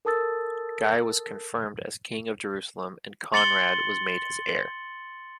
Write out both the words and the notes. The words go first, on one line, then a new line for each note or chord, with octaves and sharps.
Guy was confirmed as king of Jerusalem, and Conrad was made his heir.
A4 A#4 A5 D#6 E6 A6
C6 A6 C#7 F#7 G7